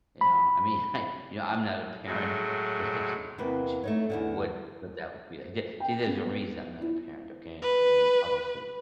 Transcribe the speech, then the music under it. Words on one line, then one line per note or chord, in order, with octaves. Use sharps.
Yeah. I mean, I, you know, I'm not a parent, but I can imagine what what that would be like. The see, there's a reason I'm not a parent, okay? And obviously
B5
A2 F#3 G#3
E2 C3 A#3 B4
A3 D#4 C#5
E2 G2 D3
G5
B3
E4
B4